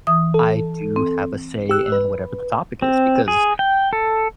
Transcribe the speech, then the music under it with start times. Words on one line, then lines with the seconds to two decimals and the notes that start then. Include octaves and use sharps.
I do have a say in whatever the topic is because
0.07 E3 D#6
0.34 A4
0.96 C4
1.69 G4 E6 F#6
1.92 B4
2.82 C4
3.28 G#4
3.59 G5
3.93 A4